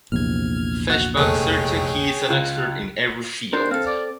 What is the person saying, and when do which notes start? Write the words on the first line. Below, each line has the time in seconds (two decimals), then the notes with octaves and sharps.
Feshbach asserted, He is an expert in every field.
0.12 A#1 E2 C3 F6 G#6
0.90 F#4 F#6
1.17 F1 G#4 A4 C#5 G5
2.29 C#2 F4 F#6
3.53 D4 A#4 C5
3.71 C4 A4 F5
3.87 D5